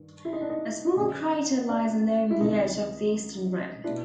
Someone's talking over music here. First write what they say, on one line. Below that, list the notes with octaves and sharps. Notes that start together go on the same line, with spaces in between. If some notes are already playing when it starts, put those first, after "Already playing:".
A small crater lies along the edge of the eastern rim.
Already playing: G2 D#3
E4
D#4
D4
D#4
F#2 D3
D4
E4
C#2 C3 D#3 D#4
B2 D4 E4